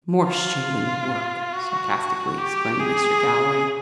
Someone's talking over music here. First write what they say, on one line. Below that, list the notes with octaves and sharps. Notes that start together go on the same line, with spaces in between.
"More show than work!" sarcastically exclaimed Mr. Galloway.
F4
F#4
G4
G#4